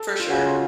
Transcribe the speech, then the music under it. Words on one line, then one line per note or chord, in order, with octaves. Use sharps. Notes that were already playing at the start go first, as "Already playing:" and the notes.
For sure.
Already playing: A4
F4
C#3 F#4
F4